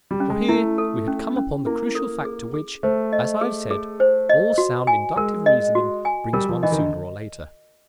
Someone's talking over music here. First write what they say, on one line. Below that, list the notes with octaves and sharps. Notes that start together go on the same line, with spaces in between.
For here we had come upon the crucial fact to which, as I have said, all sound inductive reasoning brings one sooner or later.
G3
C#4
G#3
A3 E4
A4
C#4
C#4
A#3 E4
A4
G#4
G#4
A3 C5
D#5
G#4
G#4
C5
D#5
F#4
G#5
G#3 A#4
D#5
F#4
G#5
G3 A#4
F3
E3 D#5
D#3
D3